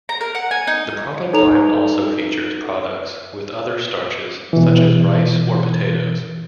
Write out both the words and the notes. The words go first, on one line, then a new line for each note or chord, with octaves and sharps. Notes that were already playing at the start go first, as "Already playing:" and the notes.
The product line also features products with other starches, such as rice or potatoes.
A#5
A#4
F#5
G#5
D#4
D#4 A4 B4 C#5 A#5 F7
B2 E3